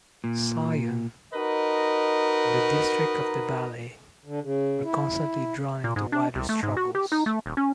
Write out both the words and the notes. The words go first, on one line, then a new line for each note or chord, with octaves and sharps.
Sion and the district of the Valais were constantly drawn into wider struggles.
A#2
D#4 F#4 A#4 B4 D#5
D3
C#3
E4
A#2
G#2
D4
C2
A3
G#2
F#4
G4
D#4
A3
D#1
C#4